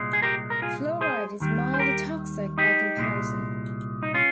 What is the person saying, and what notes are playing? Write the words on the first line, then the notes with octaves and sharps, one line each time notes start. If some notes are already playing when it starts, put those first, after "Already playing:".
Fluoride is mildly toxic by comparison.
Already playing: C2 A#2 G#3
G#4
G4 A#4
A#4
F4 G#4
G#4 C5
D#2 D#3 G3
C5
G4 A#4
D#4 G4
C2 A#2 G#3
D#4
C#4 F4